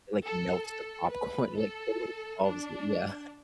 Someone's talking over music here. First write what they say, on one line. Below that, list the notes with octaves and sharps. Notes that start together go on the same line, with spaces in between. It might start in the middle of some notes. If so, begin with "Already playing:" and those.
it, like, melts the popcorn, it, like, totally dissolves y yeah,
A4
A4
B4
A4
D4